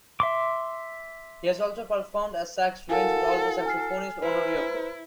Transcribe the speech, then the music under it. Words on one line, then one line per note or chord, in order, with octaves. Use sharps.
He has also performed as Sax Ruins with alto saxophonist Ono Ryoko.
E5 C6 D6
E4 F#4 A4 A#4 F5 F#5 G#5
G#5 F6 C7
E4 B4 C5 A#5